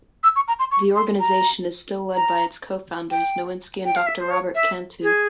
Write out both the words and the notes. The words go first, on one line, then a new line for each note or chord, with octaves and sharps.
The organization is still led by its co-founders, Nowinksi and Doctor Robert Cantu.
E6
C#6
A#5
C6
C#6
C6
A#5
A#5
G5
G5
F5
E5
C5
C#5
E5
G#4